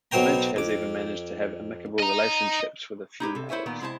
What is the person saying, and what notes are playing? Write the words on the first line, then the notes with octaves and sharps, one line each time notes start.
Midge has even managed to have amicable relationships with a few males.
B1 B2 F#3 C5 G5 A#5
F2 D6
D#5 A#5
D#4 E4 G4 B4
C3 A4
E4 C5 C#5 E5 G#5
A#2 D#3 B3
C3 G#3 E4 C5 A5